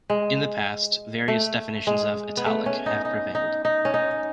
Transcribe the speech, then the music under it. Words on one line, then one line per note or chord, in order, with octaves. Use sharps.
In the past, various definitions of "Italic" have prevailed.
G#3
A3
G#3
B3
A3
C#4
D#4
D#4
D#4
D#4
C#4
D#4